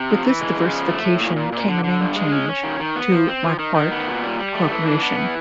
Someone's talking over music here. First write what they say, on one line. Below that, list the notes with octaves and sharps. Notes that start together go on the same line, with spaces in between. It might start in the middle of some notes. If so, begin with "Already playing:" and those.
With this diversification came a name change, to Marquardt Corporation.
Already playing: C3
F3
E3
G#3
C#3
F3
A3
A2
A#2
A#2
A#2
D3
D3
G2
G#3
C#4
C#4
D#3
D#3
B3
F3
C4
F3
D#3
D#3
B3
A#2
G3
G3
A3
E3
D4
B3
E3